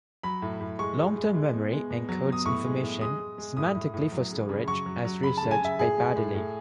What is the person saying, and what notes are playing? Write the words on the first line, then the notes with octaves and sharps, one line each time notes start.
Long-term memory encodes information semantically for storage, as researched by Baddeley.
F#3 B5
A2
A2
G#3 C#6
G#3
G#3
G#3
B2
G#3
B2
F#3
B2
D#6
A2 C#6
G#3
A2
G#3 D#6
G#3
G#3
A2 D#6
A2
A2
F#3
C#3
C#3
F#3 C#6
F#3
F#3
C#3 B5
C#3 A5
G#5
C#3 E5
A2 G#4
G#3
A2
A2